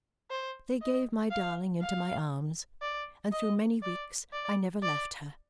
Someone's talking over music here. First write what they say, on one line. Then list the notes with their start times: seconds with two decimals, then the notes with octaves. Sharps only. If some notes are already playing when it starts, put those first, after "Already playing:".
They gave my darling into my arms, and through many weeks I never left her.
0.30 C5
0.81 D#5
1.31 F5
1.81 F5
2.82 D5
3.32 D#5
3.83 D5
4.33 D5
4.83 D5